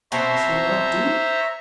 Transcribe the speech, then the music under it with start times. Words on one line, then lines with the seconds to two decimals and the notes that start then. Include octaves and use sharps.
'This will not do.
0.12 B2 C4 C5 C#5 E5 A#5